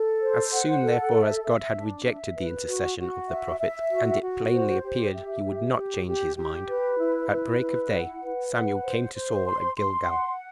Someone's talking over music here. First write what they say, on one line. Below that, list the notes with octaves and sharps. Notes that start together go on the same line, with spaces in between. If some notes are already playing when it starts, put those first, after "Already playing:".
As soon therefore as God had rejected the intercession of the prophet, and it plainly appeared he would not change his mind, at break of day Samuel came to Saul at Gilgal.
Already playing: A4
C5
F#5
A4
E5
E5
D4
E5
B4
F#4
F#4
E5
E5
F#4
F#4
C5
G4
E5
G4
G4
G4
G4
B4
E4
B4
E4
F#5
B4
F#5
C5
C5
C6
C6
F#5